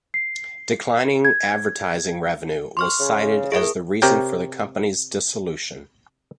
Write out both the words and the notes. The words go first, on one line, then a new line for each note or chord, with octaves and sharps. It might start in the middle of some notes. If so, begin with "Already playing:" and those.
Declining advertising revenue was cited as the reason for the company's dissolution.
C7
G#6
C6 C#6 F6
C#3
A2 G#4 A#4
C3 G4 A#4 C#5 G5